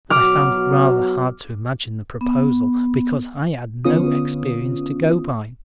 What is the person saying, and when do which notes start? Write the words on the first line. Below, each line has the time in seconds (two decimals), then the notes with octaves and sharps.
I found it rather hard to imagine the proposal because I had no experience to go by.
0.10 B2 F#3 F#4 D6 F6
2.21 B3
3.85 D3 B3 C#4 F4 D#6